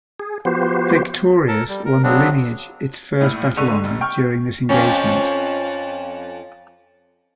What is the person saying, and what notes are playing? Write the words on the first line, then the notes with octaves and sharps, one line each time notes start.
"Victorious" won the lineage its first battle honour during this engagement.
G#4
F3 B3 F#4 G4 C5
A4 A#4 A5
G3
A#4
C#3 F#3 B3 C4 D4
A#1 A2 E4 F6
G1 C#2 D3 C#6 D#7
F1
G5 C#6 F6
F2 F3 C#4